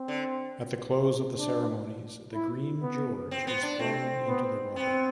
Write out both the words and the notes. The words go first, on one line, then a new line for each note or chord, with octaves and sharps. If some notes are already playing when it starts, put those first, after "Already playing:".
At the close of the ceremonies the Green George is thrown into the water.
Already playing: C4
D3
D4
E4
B3
C4
B3
D4
A3 C4
B3
B3 C4